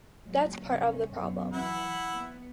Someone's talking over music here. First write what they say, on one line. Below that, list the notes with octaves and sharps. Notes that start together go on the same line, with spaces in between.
That's part of the problem...
A#2 F#3 G#3
G2 C3 C#4
F#2 B2
E3 E4 F#5
B3